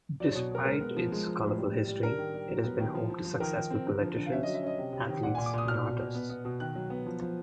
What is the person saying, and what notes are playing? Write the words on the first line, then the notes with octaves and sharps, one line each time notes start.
Despite its colorful history, it has been home to successful politicians, athletes, and artists.
F#3 D5
B2 C#5
B2 A#4
G#3 A#4
B3
F3
G#3
F3
A2
G3
G3
G3
D4 A#4
D#3
G3
F#3
B3
D#3
F3
F3
F3
D#3 A#4
D#3
C4
D3
F3
D3
F5
C#4 E5
F#3 D#5
E5
C#4 D#5
C3
C3
D#3
A#2 F#5
A#2 G#5
D6
A#2 D#6
B2 F6
B2
B2
B3
B3
B2
D#3 F#6
F#3
B3
F3
F3